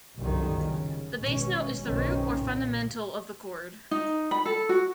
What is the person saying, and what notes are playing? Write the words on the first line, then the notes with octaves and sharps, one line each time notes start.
The bass note is the root or fundamental of the chord.
G1 C2 F#2 D3 D#3
C#3
G#1 B2 C#4
F#1 B1 B2 D#3 C4 C#4
A#2
D#4
B5
A4
F#4